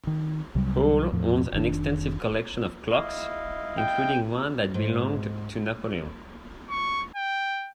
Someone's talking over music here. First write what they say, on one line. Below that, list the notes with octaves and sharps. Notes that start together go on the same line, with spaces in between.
Hall owns an extensive collection of clocks, including one that belonged to Napoleon.
D#3
C2 C3 F#3 G3
E2 A2 F3
F1 D#3 D4
E4 D#5 F5
G5
G#2
C#6
G5